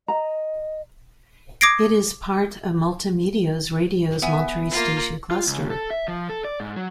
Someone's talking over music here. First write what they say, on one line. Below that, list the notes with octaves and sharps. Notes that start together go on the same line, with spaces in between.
It is part of Multimedios Radio's Monterrey station cluster.
D#5 A#5
D6 D#6 G#6 A#6 C7 D7
B3 E5 G#5
A#3 F4
F4
C#2
A4
E5
F3
A4
D5
G#2
F#3